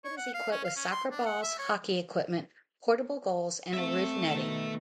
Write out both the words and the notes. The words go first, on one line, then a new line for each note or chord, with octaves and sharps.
It is equipped with soccer balls, hockey equipment, portable goals, and a roof netting.
C#5
F#5
F5
C#4
F5
C#4
C6
D4
F#5
E5
C#5
A3 C4 E5
B2 D#3